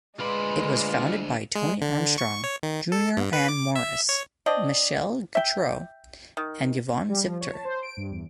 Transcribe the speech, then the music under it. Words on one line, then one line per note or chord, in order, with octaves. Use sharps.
It was founded by Toni Armstrong Junior Ann Morris, Michele Gautreaux, and Yvonne Zipter.
D2 G#3 F4 B4 D5 B5 C6
G#3
D3
C#6
C#5
D#3
A4
G2
B4
D6
E5
C#5
C4 D4 D5 D#5
E5 G5
D#3
G3
F3
C#5
A5
C5
D7
G2
E2